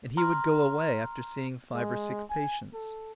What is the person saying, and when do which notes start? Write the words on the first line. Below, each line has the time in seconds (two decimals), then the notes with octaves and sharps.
And he would go away after seeing five or six patients.
0.17 A#5 C6 F6
1.74 G#3
2.30 G#5
2.74 A4